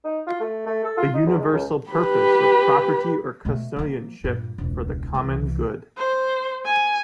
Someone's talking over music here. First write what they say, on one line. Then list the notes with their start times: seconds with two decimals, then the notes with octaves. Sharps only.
The Universal Purpose of Property or Custodianship for the Common Good.
0.05 D#4
0.27 F4
0.40 A3
0.67 A3
0.85 A4
0.97 F4
1.15 D#4
1.26 E2
1.39 G#3
1.52 C#2
1.90 G4 B4
3.45 B2 A3
3.76 F3 A#3
4.24 G2 A#2
4.58 E1 C#2
5.14 C2 E3
5.97 C5
6.65 G#5